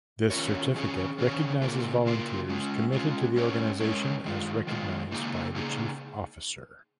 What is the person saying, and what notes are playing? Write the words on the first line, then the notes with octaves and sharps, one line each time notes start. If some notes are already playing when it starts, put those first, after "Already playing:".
This certificate recognises volunteers committed to the organisation as recognised by the chief officer.
D#3 C#4 F4 A#4 C#5
D#3 C#4 G#4 C#5
D#3 C#4 G#4 C#5
C#3 A#3 F4 A#4
C#3 A#3 F4 A#4
G#3 C#4 F4
G#3 C#4 F4
G#3 C#4 A#4 C#5
G#3 C#4 A#4 C#5
D#3 G#3 F4
D#3 G#3 F4
C#3 A#3 D#4 G#4
C#3 A#3 D#4 G#4